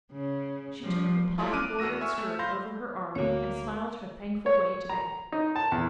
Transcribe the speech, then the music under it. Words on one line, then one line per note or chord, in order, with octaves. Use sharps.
She took her poppy-bordered skirt over her arm, and smiled her thankful way to bed.
C#3
F3 G3
F#3 G3 A3 E4 F4
D6 F6 F#6 D7 D#7
E2 F#4 E6 A#6 D#7
E5 G#5 C#6 E6 F6
A3 E5
F5 B5 C6 G6 A#6
D2 A#3 F#4 C#5
C#5
A#5
D#4
A5
E2